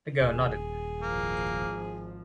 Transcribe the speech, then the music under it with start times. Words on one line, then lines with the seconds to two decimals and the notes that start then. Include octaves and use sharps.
The girl nodded.
0.21 D#1 G#4
1.02 G#1 F3 A#3